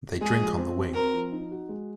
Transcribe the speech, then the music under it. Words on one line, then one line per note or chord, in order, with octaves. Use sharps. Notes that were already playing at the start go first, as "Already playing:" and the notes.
They drink on the wing.
G#3 G#4
F3
C4
F#4
C4 A#4
F3
D#4
F#4
G#3